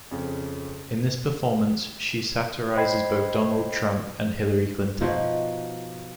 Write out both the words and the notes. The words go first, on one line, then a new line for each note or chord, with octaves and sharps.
In this performance, she satirizes both Donald Trump and Hillary Clinton.
F2 C#3
C5 D#5 G5 B5 G#6 C7
B2 F3 D#4 F#4